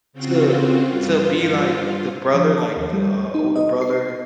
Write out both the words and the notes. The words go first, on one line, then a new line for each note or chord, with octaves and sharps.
to to be, like, the brother, like, the, uh, older brother
C#3 C4 F4 F#4
G2 F4
F3
A5
D#2
G3
D#4
D#5
C7